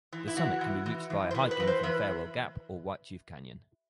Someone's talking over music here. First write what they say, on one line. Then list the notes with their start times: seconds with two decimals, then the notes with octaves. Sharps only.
The summit can be reached via hiking from Farewell Gap or White Chief Canyon.
0.13 E3
0.28 E4
0.37 E3 F#4
0.61 E3
0.86 E3
1.10 E3
1.31 C5
1.34 A2 B4
1.51 B4
1.60 E3
1.67 C5
1.83 E3 B4